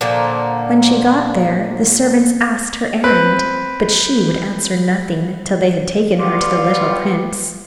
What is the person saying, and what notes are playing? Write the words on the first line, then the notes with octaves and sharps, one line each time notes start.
When she got there the servants asked her errand but she would answer nothing till they had taken her to the little prince.
A#2 D3 F3 A#3
C4 B4
G3 B3 F4 D5